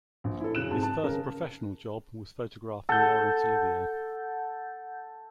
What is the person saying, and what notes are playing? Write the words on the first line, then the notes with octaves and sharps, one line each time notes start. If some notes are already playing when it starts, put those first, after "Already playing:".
His first professional job was photographing Laurence Olivier.
A#1
E4 A4
F#2 C#3 F#6 E7
G#2 C4 A5
A5
C#3 A#4
A4 F#5 G6